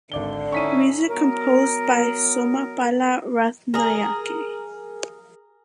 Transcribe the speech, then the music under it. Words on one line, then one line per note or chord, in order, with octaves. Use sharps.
Music composed by Somapala Rathnayake.
G#1 D3 D5 G7
C#4 D#4 E4 C#6 B6 D#7
F#3 B3 A#4
G#4 A#4